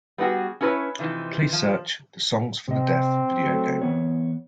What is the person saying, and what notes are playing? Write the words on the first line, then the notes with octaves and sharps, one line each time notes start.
Please search the Songs for the Deaf video game.
G3 B3 D#4 F#4 G#4
C#4 E4 G#4 A#4 B4 C#5
C3 E3 F3 D#4
F3
C3 C4 D#5
F#3 A3
E3 B3 C#5